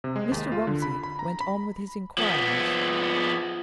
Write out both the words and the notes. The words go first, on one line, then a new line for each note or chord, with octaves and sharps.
Mr. Romsey went on with his inquiries.
C3
G#3
D#2
F4
D3
B5
B5
A#5
B5
F3 B3